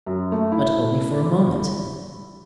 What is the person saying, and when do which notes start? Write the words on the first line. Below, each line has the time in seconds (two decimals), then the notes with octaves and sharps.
But only for a moment.
0.06 F#2
0.32 A3
0.52 E4